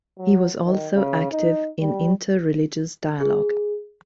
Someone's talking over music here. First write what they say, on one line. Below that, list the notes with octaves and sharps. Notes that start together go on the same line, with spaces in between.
He was also active in inter-religious dialogue.
F#3
D#3
C#3
D#4
G3
G#4